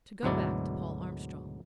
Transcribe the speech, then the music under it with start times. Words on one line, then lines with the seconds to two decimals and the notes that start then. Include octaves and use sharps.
To go back to Paul Armstrong.
0.23 D2 G#2 B2 F#3 E4 D5